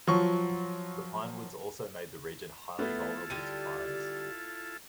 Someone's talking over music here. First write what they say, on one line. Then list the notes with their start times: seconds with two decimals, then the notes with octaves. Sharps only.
The pine woods also made the region highly vulnerable to fires.
0.07 F3 F#3 C#6
2.79 A3 B3 E4 F4 A4
3.30 D3 G3 G4 D#7